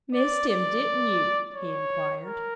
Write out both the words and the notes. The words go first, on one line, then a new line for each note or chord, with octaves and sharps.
"Missed him--didn't you?" he inquired.
D5
D5
C#5
A#4